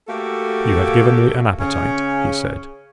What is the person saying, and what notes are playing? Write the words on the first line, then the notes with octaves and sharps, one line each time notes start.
"You have given me an appetite," he said.
A3 A#3 F#4 G4 A4
C#3 C#4